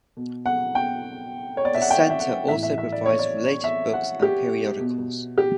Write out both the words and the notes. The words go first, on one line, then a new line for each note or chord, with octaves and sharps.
The center also provides related books and periodicals.
B2
F#5
G5
C#5
D5
E5
F#5
G5
E5
F#5
A2 E3 E5
E5
E5
D5
C#5
D5
E5
F#5
G4
B2
G4